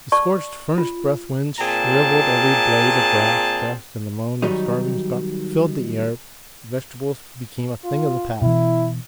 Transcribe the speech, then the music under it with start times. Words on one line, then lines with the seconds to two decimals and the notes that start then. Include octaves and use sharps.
The scorching furnace-breath winds shrivelled every blade of grass, dust and the moan of starving stock filled the air, vegetables became a thing of the past.
0.12 D5 A5 C#6
0.78 F4
1.60 A#2 C4 G#4 A5
4.42 D#3 F#3 G3 D#4
7.84 F4
8.42 B2 E3 E4